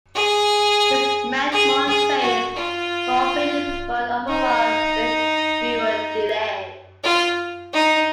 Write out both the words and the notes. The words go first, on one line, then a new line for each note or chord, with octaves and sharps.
This meant more trains were operated but overall with fewer delays.
G#4
G#4
G#4
F#4
F4
D#4
F4
D#4